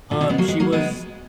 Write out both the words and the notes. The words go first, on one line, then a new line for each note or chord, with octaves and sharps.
um, she was
A#2 D3
B2 D#3
G#3 B3
F#3 A#3
G#3 B3
F#3 A#3
G#3 B3